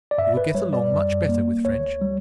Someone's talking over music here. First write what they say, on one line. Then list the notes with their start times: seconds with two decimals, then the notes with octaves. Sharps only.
You will get along much better with French.
0.11 D5
0.18 G2 E5
0.37 B4
0.55 G3 C#5
0.73 D5
0.92 F#2
1.29 A#3
1.65 D2 C#5
2.01 G3